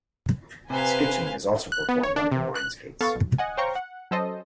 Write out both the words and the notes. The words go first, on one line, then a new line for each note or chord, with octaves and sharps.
Skitching is also performed on inline skates.
C3 B4 C5 F5 G#5
F#6
B3
C#5
D4
C3
F#6
B3 A4 F5 C#6 A6
B1
D#5 F#5 G#5
C5 C#5 F5 G5 A#5 C#6
F#5
F#3 C#4 A4 C5 D#5